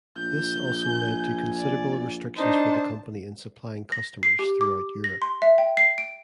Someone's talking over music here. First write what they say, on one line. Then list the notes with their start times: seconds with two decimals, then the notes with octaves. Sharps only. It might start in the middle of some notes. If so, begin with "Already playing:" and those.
This also led to considerable restrictions for the company in supplying customers throughout Europe.
0.17 A#1 G6
0.86 G#5
1.57 D5
2.38 D4 D#4 C5 A5
3.92 A#6
4.23 C7
4.39 G4
4.61 D6
5.04 A#6
5.22 C6
5.42 E5
5.58 G5
5.77 C7
5.98 D7